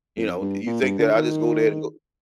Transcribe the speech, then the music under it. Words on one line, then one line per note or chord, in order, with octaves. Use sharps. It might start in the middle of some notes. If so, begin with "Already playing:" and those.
you know? You think that I just go there and go
F2
G2
A#2
G2
D3
D#3